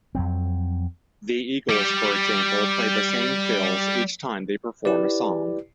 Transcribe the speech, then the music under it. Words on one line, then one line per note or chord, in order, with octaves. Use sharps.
The Eagles, for example, play the same fills each time they perform a song.
F2 F#3 C4
G3 G4
E4 G4 B4 D5